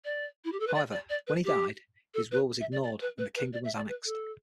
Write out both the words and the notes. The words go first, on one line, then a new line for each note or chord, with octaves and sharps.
However, when he died, his will was ignored, and the kingdom was annexed.
D5
E4
G4
A4
B4
D5
D5
D5
B4
G4
A4
B4
E5
D5
D5
B4
B4
B4
D5
E5
D5
B4
A4